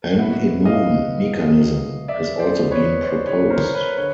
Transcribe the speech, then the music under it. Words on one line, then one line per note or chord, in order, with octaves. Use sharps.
An immune mechanism has also been proposed.
B2 F#3 B3 E5 F#5
D#5 F5
D5 E5
C5 D5
B4 C#5
C5 D5
B4 C#5
A#4 C5
B4 C#5
D3 B4 C#5